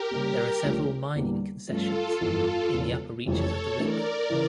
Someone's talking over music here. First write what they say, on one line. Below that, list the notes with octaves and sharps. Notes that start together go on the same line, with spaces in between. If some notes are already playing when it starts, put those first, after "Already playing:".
There are several mining concessions in the upper reaches of the river.
Already playing: G4 A#4
C#3 G3 A#3
C#2 C#3 F3 A3 D4
E2 D3 G3 A#3
G2 F3 A3 C#4 F4 A4
G1 F2 E3
E1 E2 C#3 F3
F1 F2 C#3 E3 A4 C#5
E3 A3 D4 A4 A#4 D5
C#3 E3